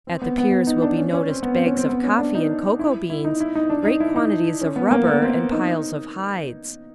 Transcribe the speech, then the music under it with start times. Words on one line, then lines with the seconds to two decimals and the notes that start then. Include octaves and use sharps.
At the piers will be noticed bags of coffee and cocoa beans, great quantities of rubber and piles of hides.
0.07 C4
0.22 B3
0.38 B3
0.52 B3
0.67 D#4
0.82 D4
0.97 C#4
1.13 C#4
1.28 C4
1.43 B3
1.54 C4
1.66 C#4
1.77 C4
1.89 B3
2.04 C#4
2.18 D4
2.35 D#4
2.79 E4
3.10 E4
3.25 D#4
3.40 E4
3.55 D#4
3.70 D4
3.85 D#4
4.00 E4
4.16 D#4
4.61 C#4
4.76 B3
4.91 A#3
5.07 B3
5.22 C4
5.52 D#4